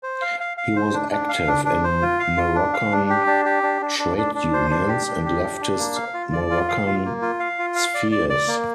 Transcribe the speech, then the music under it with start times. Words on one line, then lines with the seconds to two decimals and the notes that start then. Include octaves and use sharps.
He was active in Moroccan trade unions and leftist Moroccan spheres.
0.03 C5
0.22 F5
0.40 F5
0.57 F5
0.76 C5
0.94 D4
1.12 D4
1.29 F5
1.48 D4
1.65 D4
1.84 C5
2.02 F4
2.19 F5
2.37 F4
2.55 D4
2.74 F5
2.92 D4
3.10 G4
3.27 D4
3.45 G4
3.63 D4
3.82 D4
3.99 D4
4.17 D4
4.35 D4
4.53 C5
4.71 D4
4.88 G4
5.07 D4
5.25 G4
5.43 D4
5.61 D4
5.78 A#3
5.96 F5
6.14 F4
6.33 D5
6.50 F4
6.69 F5
6.87 F4
7.05 A#3
7.22 F4
7.40 F5
7.59 F4
7.76 F5
7.94 D5
8.12 D5
8.29 D5
8.48 A#3